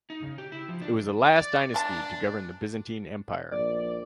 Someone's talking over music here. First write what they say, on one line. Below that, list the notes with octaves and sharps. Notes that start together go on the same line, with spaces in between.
It was the last dynasty to govern the Byzantine Empire.
D#4
C#3
G4
E4
F3
D4
D5
G#3 D4 A5
A#1 D5